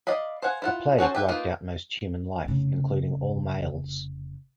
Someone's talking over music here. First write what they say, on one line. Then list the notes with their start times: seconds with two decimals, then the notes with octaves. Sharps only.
A plague wiped out most human life, including all males.
0.07 D5 D#5 F5 B5
0.42 C5 F5 F#5 G#5
0.62 E4 F4 F#5
0.98 C#4 F#4 A4 C5
1.15 G4 B4 E5
1.28 A#3 D#4 F4 B4
2.45 F1 C#3